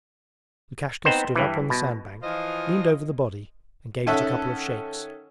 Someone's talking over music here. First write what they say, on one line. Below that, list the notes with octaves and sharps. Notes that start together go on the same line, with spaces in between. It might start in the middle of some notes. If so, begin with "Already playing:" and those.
Lukashka stood up on the sandbank, leaned over the body, and gave it a couple of shakes.
B3 C4 D#4 C5
G2 E3
B2
E3 F3 F4 C5 D#5
D#3 C#4 A4 E5 F#5